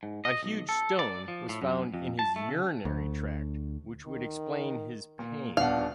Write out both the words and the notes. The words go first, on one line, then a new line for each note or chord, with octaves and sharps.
A huge stone was found in his urinary tract, which would explain his pain.
G#2
D#5
B1
A4
D5
F3
A2
F#2
F2
A5
A3
C#3
D2
D#3
A#2
D#1 B2 D4 F5 F#5